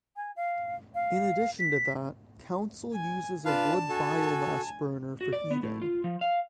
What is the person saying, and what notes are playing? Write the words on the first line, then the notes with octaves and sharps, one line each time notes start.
In addition to that, Council uses a wood biomass burner for heating.
G#5
F5
F5
B6
G#5
D4 F4 B4 F5 A5
F#4 A4 G#5
F#4
D5
B3
A2
F4
F3
F5